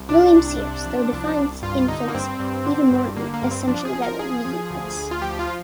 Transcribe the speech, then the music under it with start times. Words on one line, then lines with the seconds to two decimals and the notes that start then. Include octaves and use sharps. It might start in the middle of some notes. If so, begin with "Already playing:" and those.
William Sears, though, defines infants even more essentially by their "needs".
Already playing: C2
0.09 C3 D4
0.35 C2
0.60 C3
0.86 F3
1.12 C2
1.38 C2
1.63 G2 F4
1.88 D3 D#4
2.08 A#3
2.14 G2 C4
2.39 G2
2.65 D3
2.91 G2
3.16 D3 A#3
3.34 A#3
3.42 G2
3.51 C4
3.68 F3 D4
3.85 G#4
3.93 F3
4.02 A#4
4.19 F3 G#4
4.45 F3
4.70 D2
4.96 D2
5.11 F4
5.22 F3 G4
5.39 F4
5.47 F3